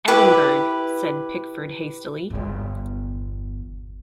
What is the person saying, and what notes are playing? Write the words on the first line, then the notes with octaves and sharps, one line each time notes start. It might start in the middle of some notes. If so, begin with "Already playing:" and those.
"Edinburgh," said Pickford hastily.
E4 G4 B4 D6
G1 E2